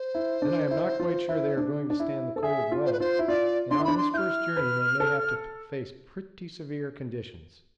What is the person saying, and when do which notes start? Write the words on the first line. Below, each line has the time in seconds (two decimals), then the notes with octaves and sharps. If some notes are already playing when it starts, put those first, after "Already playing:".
'Then I am not quite sure they are going to stand the cold well, and on this first journey they may have to face pretty severe conditions.
Already playing: C5
0.15 E4
0.42 D4
0.71 E4
1.00 F4
1.29 E4
1.57 D4
1.90 D4
2.00 E4
2.36 A4
2.43 G#4 E5
2.72 F4
2.86 C5
2.93 B4
3.00 F4 C5
3.19 E4
3.28 F4 D5
3.71 D4 C6
3.79 E4
3.84 D4 B5
3.98 C6
4.14 E4 G6
4.18 F6
4.57 B4
5.00 A4